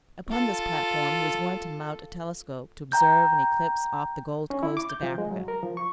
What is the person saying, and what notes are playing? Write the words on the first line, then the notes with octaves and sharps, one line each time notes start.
Upon this platform he was going to mount a telescope to observe an eclipse off the Gold Coast of Africa.
F4 A4
G5 A#5 G6
C#4
E4
D6
G6
F3
G#3
F#3
A#4
F3
C#6